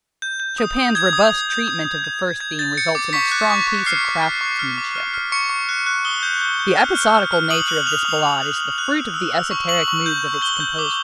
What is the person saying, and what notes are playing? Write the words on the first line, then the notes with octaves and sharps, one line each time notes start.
Chopin's robust treatment of the first theme results in a strong piece of craftmanship. The episodical nature of this Ballade is the fruit of the esoteric moods of its composer.
G6
G6
D#6
D#6
D#6 G#6
D#6
D#6
G6
D#6
D#6
G6
D#6
G6 G#6
G6 A6
G6 C#7
D6
C#6 B6
F#6
C#6
C#6
F6 C7
C#6
F6
C#6
F6
D6
F6
F6
C#6 C#7
C#6
F#6
F#6
D#6 G7
G6
G6
G6
F6
F6
F6
F6
D#6 F#7
F#6
F#6 F7
D#6
F#6
F#6
F#6
F#6
E6
E6
E6
C#6
C#6 F#7
C#6
G6
E6
G6 G7
G6
D6